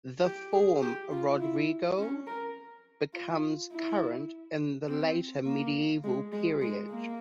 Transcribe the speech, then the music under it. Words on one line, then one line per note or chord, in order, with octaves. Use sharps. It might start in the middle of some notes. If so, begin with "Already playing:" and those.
The form "Rodrigo" becomes current in the later medieval period.
G4
G#4
G4
F4
E4
C#4
A#4
F4
E4
C4
A#3
G#3
G#3
G#3
A#3